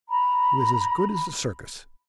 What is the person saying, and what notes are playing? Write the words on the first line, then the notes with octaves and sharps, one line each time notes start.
It was as good as a circus!
A#5 B5